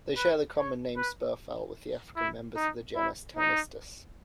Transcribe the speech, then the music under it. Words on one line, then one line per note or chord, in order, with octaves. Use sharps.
They share the common name "spurfowl" with the African members of the genus "Pternistis".
B4
C#5
B4
E4
D#4
E4
D#4